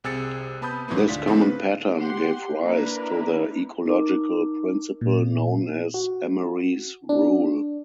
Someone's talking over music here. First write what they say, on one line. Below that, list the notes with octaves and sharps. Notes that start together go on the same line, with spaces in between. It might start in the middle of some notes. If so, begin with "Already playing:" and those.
This common pattern gave rise to the ecological principle known as "Emery's Rule".
C2 C3 G#4 E6 A6 C#7
C3 B3 A5 B5 D#6 G6
B1 G#2 E3 F#3 A3 B3
D2 D4 F4 B6
G#2 C#3 F3 A3 C4
B4
G4 F#5 C6
A#3 D4 E4 A#4 B4
D#4 A#4 D6
A#2
F#4
D4